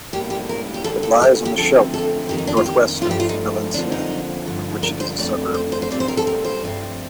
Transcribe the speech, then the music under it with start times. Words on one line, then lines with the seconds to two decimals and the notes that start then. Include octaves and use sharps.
It lies on the Scheldt, northwest of Valenciennes, of which it is a suburb.
0.13 A2 G3 A#3 G4
0.30 G4
0.49 A#4
0.74 G4
0.84 D3 G3 A#3 A4
1.03 A4
1.22 G4
1.45 G4
1.57 D3 F3 A3 C4 A4
1.94 A4
2.29 F2 D#3 A#3 G4
2.38 D#4
2.47 D4
2.57 F4
2.66 G4
3.01 G2 F3 A3 F4
3.11 G4
3.20 F4
3.29 D#4
3.74 F2 D3 F3 A#3 D4
3.92 D#4
4.46 G2 D3 F3
4.83 A#4
5.00 C5
5.18 F2 D3 A3 D5
5.54 C5
5.72 C5
5.82 C5
5.91 A#2 G3 C4 D5
6.00 C5
6.08 A#4
6.17 A4
6.27 A#4
6.44 C5
6.63 G2 F3 A3 C4